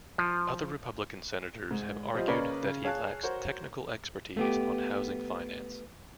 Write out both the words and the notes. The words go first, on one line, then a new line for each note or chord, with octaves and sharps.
Other Republican senators have argued that he lacks technical expertise on housing finance.
F3
G#2
F3 G3 F4 C5 D#5
C#3 A#3 C#4 B4 D5 D#5
C#3
G#4 C#5 F5 A5 F#6
F#4 A#4 C5 C#5
A3 B3 G4